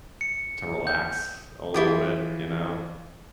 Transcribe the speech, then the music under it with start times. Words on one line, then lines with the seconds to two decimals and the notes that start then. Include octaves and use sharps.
to relax a little bit, you know?
0.21 C#7
0.87 G6
1.74 E3 E4 F4 G4 G#4 G5